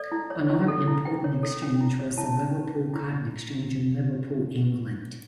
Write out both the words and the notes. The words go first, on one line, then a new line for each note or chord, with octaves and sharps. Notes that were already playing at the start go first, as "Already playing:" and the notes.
Another important exchange was the Liverpool Cotton Exchange in Liverpool, England.
Already playing: A4 D5
E4
C#5
E4
A4
E4
E4 G5
C#5
A4
C#4
E4
C#5
E4 A5
C#4
B4
C#4
E4